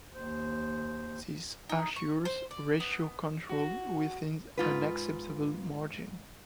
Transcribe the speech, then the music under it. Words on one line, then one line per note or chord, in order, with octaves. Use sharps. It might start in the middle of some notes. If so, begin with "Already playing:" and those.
This assures ratio control within an acceptable margin.
D#2 C5
D#4
C#6
C5
D5
B3
F#4
G#2 F4 B4